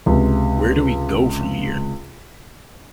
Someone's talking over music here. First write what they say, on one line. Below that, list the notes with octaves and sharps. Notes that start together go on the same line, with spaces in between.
Where Do We Go from Here?
C#2 C3